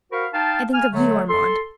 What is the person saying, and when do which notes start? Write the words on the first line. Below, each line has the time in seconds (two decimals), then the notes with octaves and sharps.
I think of you, Armand.
0.12 F#4 A#4 C5 F5 B5 C#6
0.34 D#4 F5 G5 A5
0.74 A#3 G#5 F6
0.93 D3 F#3 A3
1.29 A4 C6